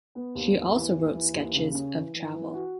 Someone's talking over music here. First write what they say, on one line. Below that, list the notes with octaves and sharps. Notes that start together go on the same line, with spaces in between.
She also wrote sketches of travel.
B3
D#2
B3
E3
D#2
E3
D#2
C#3
C#4
E3
E3
E3
F#4